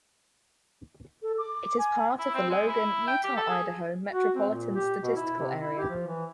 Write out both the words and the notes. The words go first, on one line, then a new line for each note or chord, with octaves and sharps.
It is part of the Logan, Utah-Idaho Metropolitan Statistical Area.
A4
D6
G#5
E4
C4
G#3
E4
G5
G4
A4
G#4
F#4
C4
A#2
G4
B2
E4
C3
E4
G4
F3
E3